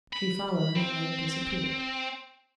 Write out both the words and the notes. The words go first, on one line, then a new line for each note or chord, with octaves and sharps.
She followed, and they disappeared.
B5
C4